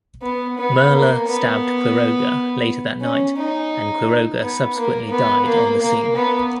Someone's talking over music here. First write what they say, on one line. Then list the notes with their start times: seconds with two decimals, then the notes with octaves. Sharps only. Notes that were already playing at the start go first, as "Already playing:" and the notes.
Merla stabbed Quiroga later that night and Quiroga subsequently died on the scene.
0.22 B3
0.58 B3
0.93 A#3
1.27 B3
3.01 C#4
3.37 D#4
4.41 B3
4.76 A#3
5.11 B3
5.46 A#3
5.82 A#3
6.16 B3